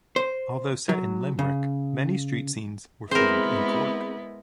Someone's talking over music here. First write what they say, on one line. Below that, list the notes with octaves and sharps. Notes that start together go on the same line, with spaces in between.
Although set in Limerick, many street scenes were filmed in Cork.
C5
F#3
C#3
G#3 B3 C4 E4 G#4 A#4 C5